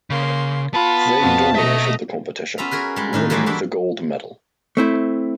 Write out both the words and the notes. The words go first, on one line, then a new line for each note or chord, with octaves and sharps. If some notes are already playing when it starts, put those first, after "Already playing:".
They dominated the competition, winning the gold medal.
C#3 A#3 C6
B3 F4 A5 B5
F2 C4 F#4 F5
B2 A4 D#5 E5 A#5
B3 C#4 F4 E5 A#5
F#4 G#4 A#4 B4
G3 G#3
A2 D#3 D4 D#4
E3 G3 G#3 A#3 D#4 F#4
E3 A#3 D4 E4
A3 C4 E4